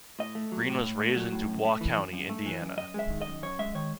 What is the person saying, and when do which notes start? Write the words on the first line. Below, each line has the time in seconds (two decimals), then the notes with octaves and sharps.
Greene was raised in Dubois County, Indiana.
0.19 A2 D#5
0.35 A3
0.52 F#3
0.68 A2
0.84 A2
1.00 A3
1.16 F#3
1.33 A2
1.48 F#2
1.65 A3
1.81 E3
1.97 F#2
2.13 F#2
2.30 A3
2.46 E3
2.62 F#2
2.77 F#2 D#5
2.94 G#3 E5
3.10 D#3
3.22 F#2 D#5
3.43 F#2 C#5
3.59 G#3 E5
3.75 D#3 C#5